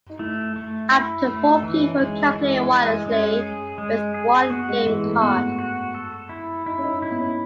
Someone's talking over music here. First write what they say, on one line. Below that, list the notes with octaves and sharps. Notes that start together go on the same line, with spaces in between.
Up to four people can play wirelessly with one game card.
D#4
A3 E4
A3
E4
A3
E3 D#4
C#4
D#4
G#3
E3
G#3
G#3 C#4
G#4
G#3
G#4
B3 F#4
G#3
E3 G#3
A3
B3 F#4
F#4
A4
E4
D#4 E4
C#4
D#4
E4
B3
C#4